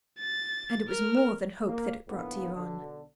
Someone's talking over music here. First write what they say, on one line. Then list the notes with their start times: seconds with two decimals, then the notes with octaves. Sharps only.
And it was more than hope that it brought to Yvonne.
0.20 A6
0.89 A#4 F6
1.68 A#3
2.08 A2 D3 F3 A#3 B3
2.54 B1 D3